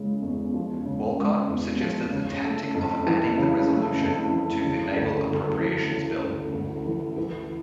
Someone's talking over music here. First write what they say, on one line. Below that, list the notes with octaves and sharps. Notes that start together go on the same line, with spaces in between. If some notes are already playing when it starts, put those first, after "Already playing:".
Walcott suggested the tactic of adding the resolution to the Naval Appropriations Bill.
Already playing: C#3 G#3
E2
F3
C#3
G#3
E2
F3
C#3
A3
F2
E3
C#3
A3
F2
E3
C#3
D2
D2
E3
C#3
D2
D2
E3
E3